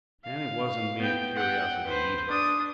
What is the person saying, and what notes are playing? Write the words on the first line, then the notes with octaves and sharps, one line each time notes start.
And it wasn't mere curiosity, either.
F5
B3 G5
F#5 G5
B4 C5
D4 D#6